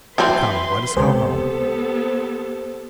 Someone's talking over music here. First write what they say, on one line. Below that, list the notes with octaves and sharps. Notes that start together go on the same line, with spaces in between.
But come, let us go home!
E3 F#3 C4 B4 C6
C#2 C3 B3 G4 A4 C5